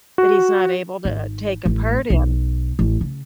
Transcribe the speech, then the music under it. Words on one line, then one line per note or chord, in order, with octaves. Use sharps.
that he's not able to, uh, take a part in.
F#4
G#1
A1
B1
A1
C#3